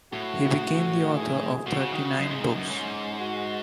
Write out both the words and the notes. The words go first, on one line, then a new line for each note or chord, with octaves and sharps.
He became the author of thirty-nine books.
A2 F#4
G#4
A2 F#4
C#3
D#3
C#3
F#2 D#4
G#2
F#2
F#2
G#2 C#4
F#4